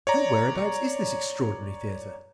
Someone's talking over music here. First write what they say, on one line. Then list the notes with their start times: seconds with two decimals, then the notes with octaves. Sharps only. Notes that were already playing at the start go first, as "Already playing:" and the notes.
And whereabouts is this extraordinary theatre?
0.07 C#5 D5 A#5